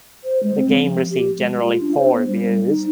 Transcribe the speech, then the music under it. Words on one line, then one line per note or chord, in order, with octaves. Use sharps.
The game received generally poor reviews.
C5
G#3
C4
F3
G4
G#3
F4
D4
C5
B3
G3
D#4